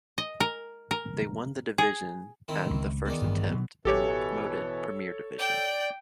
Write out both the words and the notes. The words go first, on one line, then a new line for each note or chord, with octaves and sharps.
They won the division at the first attempt and were promoted Premier Division.
D#5
A#4
A#4
G#4
D#3 C4 E4
C#2
E2 D#3 D5
A1 G2
B2 F#3 B3
A1 B2 E3 G4 A4 C#5
D5 G5 G6